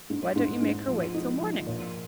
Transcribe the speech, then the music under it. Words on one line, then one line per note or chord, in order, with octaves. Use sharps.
"Why don't you make her wait till morning?"
G#2
G#2
G#2
F3
D#4
F3
A#2